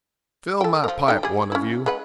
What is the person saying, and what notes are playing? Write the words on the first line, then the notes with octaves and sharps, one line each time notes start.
'Fill my pipe, one of you.
A4 G5
F3 A#4
D#4 A4 G5
G3 G#4
C#4 E4
G#3 B4 F#5